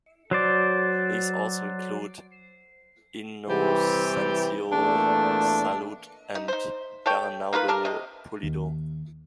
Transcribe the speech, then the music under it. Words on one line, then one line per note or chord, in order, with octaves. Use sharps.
These also include Inocencio Salud and Bernardo Pulido.
F#3 C5 D5
C3 E3 G3
E2 A#2 A3 D4
D#4
D#4 C5
A4 C#5 G5
A#3 D#4 F4 B4
D4 A4 A#4
C3 D#5
D#2